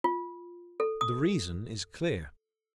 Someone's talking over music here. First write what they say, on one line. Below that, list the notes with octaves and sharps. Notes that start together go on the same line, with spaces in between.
The reason is clear.
F4
A4
D#6